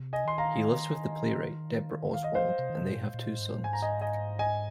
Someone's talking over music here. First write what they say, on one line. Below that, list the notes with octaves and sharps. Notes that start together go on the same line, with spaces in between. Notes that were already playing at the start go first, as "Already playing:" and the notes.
He lives with the playwright Debra Oswald and they have two sons.
Already playing: C3
D#5 G#5
D#3 C6
F5 A#5
D#3 F5
D#5
F3 C5 F5
C3
D#3
C3
A#2
A#2
G#2
A#2
G#2 G#5
A#5
D#5 G#5
D#5 G#5
D#5 G#5